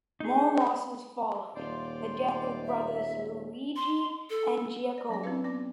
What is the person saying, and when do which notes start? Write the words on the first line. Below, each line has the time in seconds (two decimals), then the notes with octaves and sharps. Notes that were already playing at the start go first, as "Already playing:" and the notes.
More losses followed: the death of the brothers Luigi and Giacomo.
0.20 D#4 G#4
1.56 D#1 F4 C5 D5
2.66 E5
3.76 C6
4.30 A4
4.98 D5
5.09 F#3 C#4 C#5 D5
5.23 C4 D4 E4 G4 B4 F5
5.44 B3 C#4 D5 D6